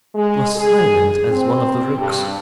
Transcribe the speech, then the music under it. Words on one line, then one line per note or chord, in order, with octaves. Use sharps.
It was silent as one of the ricks.
G#3
G#4
C4
G2